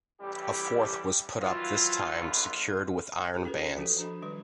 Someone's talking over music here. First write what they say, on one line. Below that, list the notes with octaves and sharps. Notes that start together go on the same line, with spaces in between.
A fourth was put up this time secured with iron bands.
A1 E3 G3 G4
D#3 E3 F#3 F4
A#1 E2 D3 B3 E4 F4
G4 A4 C5
C#4 F4 F#4 G#4 A#4 B4
F3 F#4 A4 C5
D4 F#4 A4 D#5 B5
D#3 F3 G3 B4